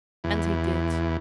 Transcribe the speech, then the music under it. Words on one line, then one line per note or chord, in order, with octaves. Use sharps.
And he did.
E2